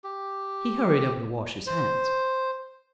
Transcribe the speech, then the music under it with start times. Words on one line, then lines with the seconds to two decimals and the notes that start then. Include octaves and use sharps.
He hurried over to wash his hands.
0.04 G4
1.67 C5